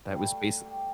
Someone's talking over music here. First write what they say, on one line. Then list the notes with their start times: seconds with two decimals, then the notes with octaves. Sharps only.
that was base
0.10 G3 A3 F#4 F5
0.66 G4